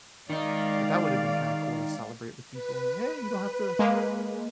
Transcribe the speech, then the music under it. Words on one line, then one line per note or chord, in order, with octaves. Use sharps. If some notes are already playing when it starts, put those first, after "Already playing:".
but that would have been kinda cool to celebrate with people, like, "Hey, you don't have to"
D#3 G#3 D#4 D5 F5
B4
G#3 A#3